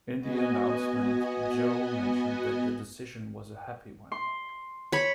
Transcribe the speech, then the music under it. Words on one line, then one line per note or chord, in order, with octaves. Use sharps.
In the announcement Joe mentioned that the decision was a happy one.
B3 F#4 D#5 G#5
C6
C#5 B5